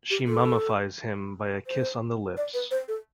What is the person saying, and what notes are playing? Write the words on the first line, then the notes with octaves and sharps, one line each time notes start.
She mummifies him by a kiss on the lips.
G4
A4
C5
D5
B4
C5
A4